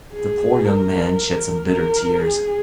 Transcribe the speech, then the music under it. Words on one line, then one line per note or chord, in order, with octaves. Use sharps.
The poor young man shed some bitter tears.
G#4
A#4
A#4
G#4